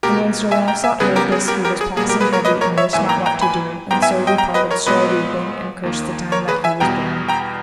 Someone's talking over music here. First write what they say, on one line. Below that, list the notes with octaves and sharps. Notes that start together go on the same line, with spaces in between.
And when Sir Launcelot heard this he was passing heavy and wist not what to do, and so departed sore weeping, and cursed the time that he was born.
C#2 B2 A#3 G4 A#4
E5 G#5
G5 A#5
E5 G#5
C#2 C#3 G3 B3 G#4 B4
G4 A#4
G#4
G4 A#4
G4 A#4
G#4
B2 G3 A#3 G#4
G4 A#4
G#4 B4
A#4 C#5
B4 D#5
A#4 C#5
C#5 E5
G#2 E3 A#3 E5 G#5
G5 A#5
G5 A#5
G#5 B5
G#2 G3 B3 G5 A#5
E5 G#5
D#5 G5
G5 A#5
B4 D#5
A#4 C#5
A#2 G#3 B3 B4 D#5
D#2 D#3 A#3
A#4 C#5
G#4 B4
E5 G#5
E2 B2 G3 B3 G5 A#5
G5 A#5